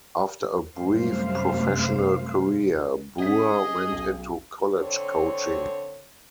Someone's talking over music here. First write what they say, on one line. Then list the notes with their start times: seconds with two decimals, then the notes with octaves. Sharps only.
After a brief professional career, Brewer went into college coaching.
0.76 F#2 C3 G3 A3 C5 F5
3.20 C#4 G#4 D#5 B6
3.92 B1
4.74 D3 C4 C#5